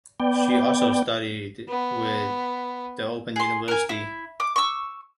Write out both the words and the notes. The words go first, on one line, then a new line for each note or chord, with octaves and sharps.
She also studied with the Open University.
B3 D5 G5
B3
G#4 C6
A#4 G#5
E4
D6
C#6 E6